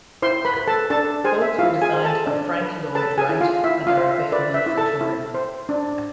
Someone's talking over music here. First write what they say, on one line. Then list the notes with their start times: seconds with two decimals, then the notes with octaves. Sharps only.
Both were designed by Frank Lloyd Wright and are available for touring.
0.22 E4 C5 C6
0.45 B4 B5
0.57 B4
0.67 A4 A5
0.90 D4 A4 A5
1.24 G#4 C5 G#5
1.42 E5
1.59 E4 F4 F5
1.82 G#4 G#5
1.93 C5
2.05 A4 A5
2.27 D4
2.61 B4
2.95 A4 B4 A5
3.18 G#4 G#5
3.29 E4
3.41 F4 F5
3.64 E4 E5
3.87 F4 F5
3.98 C5
4.10 E5
4.32 B4 D5
4.54 E5
4.66 E4
4.77 A4 A5
5.01 E4
5.34 C5
5.69 D4